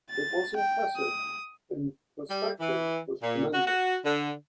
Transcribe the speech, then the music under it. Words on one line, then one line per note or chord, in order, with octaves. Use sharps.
It was impressive; in perspective it was tremendous.
A6
G5
D#6
G3
E3
A#2
F#4
F#4
D3